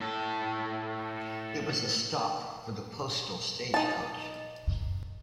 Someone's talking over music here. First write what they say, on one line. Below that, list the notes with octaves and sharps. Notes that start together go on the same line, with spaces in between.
It was a stop for the postal stagecoach.
A2 A4
D#4 A5